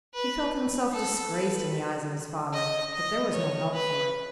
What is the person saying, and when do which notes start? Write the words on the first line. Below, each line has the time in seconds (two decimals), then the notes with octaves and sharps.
He felt himself disgraced in the eyes of his father, but there was no help for it.
0.14 B4
0.93 A4
1.34 B4
2.53 D#5
2.93 D#5
3.33 C#5
3.73 B4